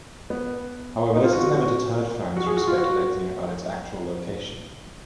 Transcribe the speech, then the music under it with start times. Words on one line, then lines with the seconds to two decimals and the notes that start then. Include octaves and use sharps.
However, this has never deterred fans from speculating about its actual location.
0.30 B3
1.13 D#4
1.24 F4
1.33 F#4
1.43 F#4
1.54 F#4
2.37 F#4
2.46 G#4
2.57 F#4
2.67 F4
2.78 F#4